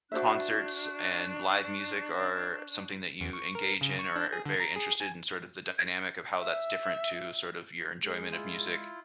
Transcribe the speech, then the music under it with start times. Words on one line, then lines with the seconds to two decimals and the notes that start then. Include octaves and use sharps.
concerts and live music are something that you engage in or are very interested in sort of the dynamic of how that's different to sort of your enjoyment of music,
0.12 D4 F#4 C5 E5 C#6 F#6
3.20 E2
3.33 C#6
3.55 A#4
3.81 C#3
3.99 C#6
4.16 D4
4.33 G#4
4.46 D3
4.60 A#5
4.76 G#4
5.00 G#5
6.40 E5
8.03 G#3 G#4
8.32 E4 F4